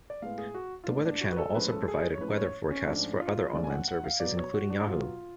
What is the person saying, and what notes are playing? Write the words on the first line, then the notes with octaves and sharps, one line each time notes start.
The Weather Channel also provided weather forecasts for other online services including Yahoo!
D5
A2 G#3 B3 F5
G#4
F#4
F4
A2 G#3 B3 D4
D4
F#4
B4
A4
A2 F3 G#3 C#4 B4
A4
G#4
C#5
A2 F3 G#3 C#4 B4
C#5
C#4
G#2 F3 A3 C#4 D4
F4
G#2 F3 A3 C#4 D5
G#5
F#5
F#5
F5
B2 F#3 B3 D5
C#5
F#4
D4
B2 F#3 B3 F4